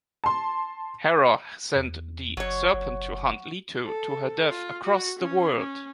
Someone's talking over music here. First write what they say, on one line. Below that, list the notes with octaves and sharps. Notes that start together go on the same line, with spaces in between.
Hera sent the serpent to hunt Leto to her death across the world.
A5 C6
E2
F#1 F#3 C#5
F#1
A4
F4
F#4
C#4
C#4